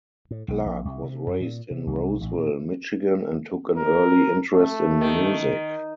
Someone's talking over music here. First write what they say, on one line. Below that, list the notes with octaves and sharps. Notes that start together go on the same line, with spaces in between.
Clark was raised in Roseville, Michigan, and took an early interest in music.
A2
B1
A#1
C2
C3
F#2
A#2
C3
C2
A1
A#2
A#4
A3
D#3